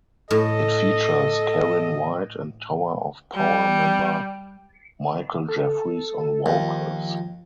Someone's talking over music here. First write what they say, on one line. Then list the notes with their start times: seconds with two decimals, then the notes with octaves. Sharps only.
It features Karyn White and Tower of Power member Michael Jeffries on vocals.
0.31 A2 A4 D#5
3.35 G3
5.48 A4
6.46 D#2 F3